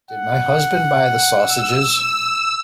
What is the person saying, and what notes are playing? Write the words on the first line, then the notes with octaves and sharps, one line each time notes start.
Did my husband buy the sausages?
F#5
E6